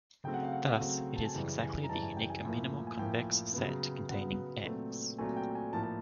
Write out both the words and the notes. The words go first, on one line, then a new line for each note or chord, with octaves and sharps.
Thus, it is exactly the unique minimal convex set containing "X".
C#3 F#3 A3 C4 G5
F#5
F5
F#5
C#3 F#3 A3 C4
A5
G#5
F#2 C#3 E3 G3 G5
G#5
A#5
F#2 C#3 E3 G3 A5
G#5
G5
G#5
A2 F3 A#3
G#5
A2 F3 A#3 G5
C#3 F#3 B3
C#3 F#3 B3 F#5
A#2 F#3 A3 C4
A#2 F#3 A3 C4 G#5
G5
G#5
A2 F3 A#3 A5
A5